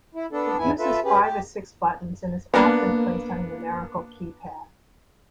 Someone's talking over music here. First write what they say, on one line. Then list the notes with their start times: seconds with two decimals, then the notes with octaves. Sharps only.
It uses five or six buttons, and is often placed on a numerical keypad.
0.15 E4
0.32 B3 D4 A4
0.58 E2 G#2 B3 E4 G#5
0.79 F4 A4 B4 E5
1.04 C#4 G4 G#4 B4
1.21 G4
2.54 A#3 B3 D4